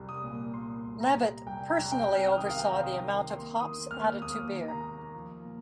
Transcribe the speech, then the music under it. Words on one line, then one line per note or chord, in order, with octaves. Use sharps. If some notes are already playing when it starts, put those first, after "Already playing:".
Levett personally oversaw the amount of hops added to beer.
Already playing: C2 G3
D#6
A#2
A#2 C6
C2
A#5
G3
C2 G5
A#5
C2
G5
C3
F6
F6
D#3 D#6
F5
G5
C2 A#5
C6
D#6
D#3
A#3 C6
D#3 D#6
D#2 F6
D#2 D#6
D#3
A#5
A#3
F3
A#2